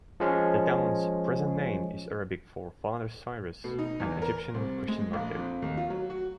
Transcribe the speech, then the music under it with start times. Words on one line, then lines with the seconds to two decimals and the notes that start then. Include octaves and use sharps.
The town's present name is Arabic for "Father Cyrus", an Egyptian Christian martyr.
0.20 F3 G#3 C#4
3.64 B2
3.79 D#4
4.00 E2
4.22 A#4
4.54 C2
4.88 G#3
5.13 A#1
5.36 F2
5.62 D#2
5.77 F4
5.90 F#3
6.10 F#4